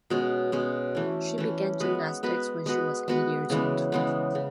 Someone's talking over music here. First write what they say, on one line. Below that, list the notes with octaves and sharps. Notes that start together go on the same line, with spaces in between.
She began gymnastics when she was eight years old.
B2 G#3 C#4
B2 G#3 C#4
E3 A3 C#4
E3 A3 C#4
G#3 B3 F#4 B4
G#3 B3 F#4 B4
G#3 B3 F#4 B4
G#3 B3 F#4 B4
C#3 E3 G#3 B3
C#3 E3 G#3 B3
C#3